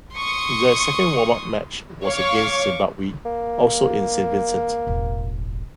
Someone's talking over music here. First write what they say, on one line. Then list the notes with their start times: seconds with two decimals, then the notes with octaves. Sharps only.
Their second warm-up match was against Zimbabwe, also in Saint Vincent.
0.17 C6 C#6 D#6
2.06 C#5 F5 C#6 D6
3.26 A#3
4.87 E1 A1